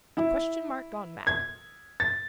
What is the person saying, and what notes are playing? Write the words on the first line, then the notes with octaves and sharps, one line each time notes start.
A question-mark gone mad.
E4
G#6
A6